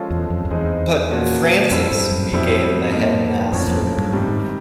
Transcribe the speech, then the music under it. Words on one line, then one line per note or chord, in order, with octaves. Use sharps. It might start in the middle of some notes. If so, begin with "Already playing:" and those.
"But, Francis..." began the headmaster.
Already playing: F3 G#3 C#4 F4 A4
E2
F2
F2
E2 G#3 C4 D#4 G#4
A#2 F3 A#3 C#4 F#4
F2 G3 C4 E4 A4
G2
F#2
F2 B2 G3 C4 E4
A#2 F3 A#3 D#4
F2 A2 F3 A#3 C#4
F2
F#2
G2
G#2 C3 D#3 G3
G#2